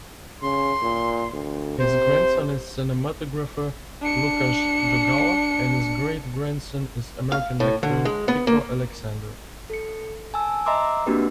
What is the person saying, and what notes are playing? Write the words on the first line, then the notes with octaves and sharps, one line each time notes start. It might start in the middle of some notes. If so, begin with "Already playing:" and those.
His grandson is cinematographer Lukasz Jogalla and his great-grandson is American actor Pico Alexander.
C#3 C6
A#2
D2
C3 C5
D4 C#7
F5
A2
D3
G#3
B3
A#3
A4 C#7
G#5 A5 E6
D#5 E5 A#5 C6 D6 E6
A#3 C4 D4 F#4 G4 B4